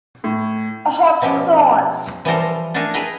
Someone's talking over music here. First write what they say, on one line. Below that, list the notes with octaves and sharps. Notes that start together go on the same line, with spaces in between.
A hawk's claws.
A2
B2 F3 C#4 G4
E3 F3 G3 A4 A#4 C5
A3 D4 A4 A#4 F5 G#5
G#4 B4 D#5 E5 G5 A#5